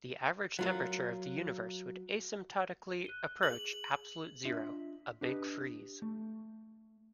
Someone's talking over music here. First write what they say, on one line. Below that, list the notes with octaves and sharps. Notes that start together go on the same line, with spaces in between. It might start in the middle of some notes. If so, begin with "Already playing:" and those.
The average temperature of the universe would asymptotically approach absolute zero-a Big Freeze.
F#3 F4 A#4
F#6 D#7 G7
G#4 F#7
D4 F4 D#5 E5
D4 G4 B4 D#5
A3